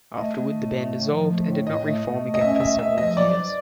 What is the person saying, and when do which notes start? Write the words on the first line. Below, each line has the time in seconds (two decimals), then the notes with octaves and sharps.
Afterward, the band dissolved and did not reform again for several years.
0.17 A3 D#5
0.36 A3
0.54 A2
0.74 A3
0.93 A2
1.10 F3
1.29 A3
1.48 A2
1.67 A2 D#5
1.85 A3
2.04 A3
2.23 A3
2.34 D#5
2.41 C#4 E5
2.60 A3 E5
2.79 A3 E5
2.98 F3 D#5
3.16 F#3 D5
3.34 G2